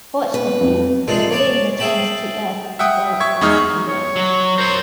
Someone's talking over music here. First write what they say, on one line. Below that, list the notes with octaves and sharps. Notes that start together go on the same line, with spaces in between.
Fortunately, the balloon returned to earth before it was too late.
B3 B4
F2
A1 A#2 G#3 D4 A4
C#5 D5 A5
G#4 E5 G5 A5 B5
E5 F#5 G5 D#6
E5 C#6 G#6
E2 G#3 D#4 C#6 D#6 F6
C#5
F#3
A#4 C5 C#5